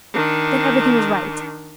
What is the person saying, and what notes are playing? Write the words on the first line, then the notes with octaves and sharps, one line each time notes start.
Then everything was right.
D#3 D4